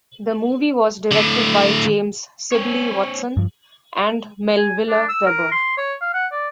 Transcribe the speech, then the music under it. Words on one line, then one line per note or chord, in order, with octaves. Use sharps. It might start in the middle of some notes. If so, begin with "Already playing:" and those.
The movie was directed by James Sibley Watson and Melville Webber.
A2 D3
C4 C#5
G2 F3
G#5
D4
E6
A#4
C6
C#5
F5
F#5
D5